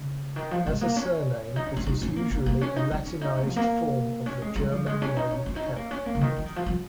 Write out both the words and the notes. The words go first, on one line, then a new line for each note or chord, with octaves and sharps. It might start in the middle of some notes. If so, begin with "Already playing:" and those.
As a surname it is usually a Latinized form of the German name "Keller".
Already playing: C#3
D#3
F3
G#3
A#3
C#4
D#4
C#4
C#4
D#4
C#4
A#3
A#3
A#3
C#4
D#4
D#4
C#4
D#4
C#4
F3
A#3
C#4
G#3
G#3
F3
G#3
C#4
D#4
C#4
C#4
D#4
C#4
A#3
C#4
A#3
C#3
D#3
F3
D#3
F3
F3